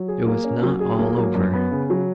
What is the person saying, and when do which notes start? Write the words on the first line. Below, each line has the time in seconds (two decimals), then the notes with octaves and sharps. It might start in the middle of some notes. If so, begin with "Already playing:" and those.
It was not all over.
Already playing: F#3
0.08 G#4
0.26 A#3
0.44 C#4
0.62 F#3
0.80 G#4
0.99 A#3
1.17 F#3
1.35 F#2
1.54 B3
1.71 C#3
1.90 F#3